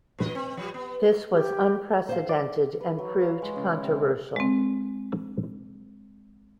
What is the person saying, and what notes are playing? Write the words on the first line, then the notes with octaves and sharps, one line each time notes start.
This was unprecedented, and proved controversial.
A#2 B4 D#5
C4
F3 G3
B3
G4
C5 F5
D5
B4
F#3
F5
G#3
C#3
C3
G#3 C4